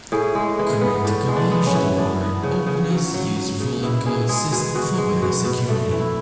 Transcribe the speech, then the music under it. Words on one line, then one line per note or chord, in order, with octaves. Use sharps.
Current garage door openers use rolling code systems for better security.
A2 G#4
G#3
E3 G#4
B3
A2 D4
G#3
D4
B3
C#4
E3
B3 D4
B3
C#3
C#3
F#3
F#3
F#3
C#3
B2 E4
B2 G#4
G#3 G#4
B2 G#4
B2 F#4
G#3
B2 F#4
B2
A3 D4
E3
E4